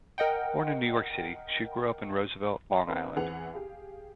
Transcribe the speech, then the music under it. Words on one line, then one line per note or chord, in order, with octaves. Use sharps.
Born in New York City, she grew up in Roosevelt, Long Island.
A#4 D#5 F#5 G5
C4 A#4 B4
E2 E3 C4 G#4 F#5 F7
G4 G#4 F5